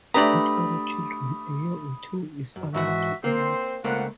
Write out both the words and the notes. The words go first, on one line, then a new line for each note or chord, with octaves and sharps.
With other children, a year or two is allowed to elapse.
A3 D4 G4 B4 D5 A#5 B5 D#6
F#2
G#2 E3 F#4 E5 F#5
A#3 C4 C5
C#2 A3 A#3 C4 F4 F#5